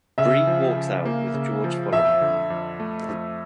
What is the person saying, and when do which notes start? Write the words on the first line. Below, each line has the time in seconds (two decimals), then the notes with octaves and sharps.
Bree walks out with George following her.
0.18 C#3 E5
0.47 F3
0.76 C#3
1.05 A#3
1.34 C#3
1.64 F3
1.93 F2 E5
2.21 D3
2.50 F2
2.80 A3
3.09 F2